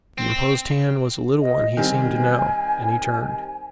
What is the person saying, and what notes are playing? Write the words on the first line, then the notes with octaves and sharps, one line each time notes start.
The imposed hand was a little one he seemed to know, and he turned.
C4
D#5
D#3 G3 C4 G#5